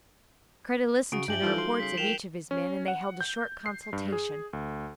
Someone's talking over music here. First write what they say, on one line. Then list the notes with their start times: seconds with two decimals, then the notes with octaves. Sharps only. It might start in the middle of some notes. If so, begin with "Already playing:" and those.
Kreta listened to the reports of each of his men, and they held a short consultation.
1.12 C#3 F#4 D7
1.28 G2 G4 E5 G5 G#5 G6 F#7 G7
1.42 E3 F3 G3 D#4 A4 D7 F#7
1.58 G3 F#4 C6
1.80 C#3 B6 C7
1.98 F3 A#4 G5 E7 F7 G7
2.51 C#4
2.88 F#5
3.21 G6
3.66 C7
3.93 G2
4.12 G#4
4.53 D2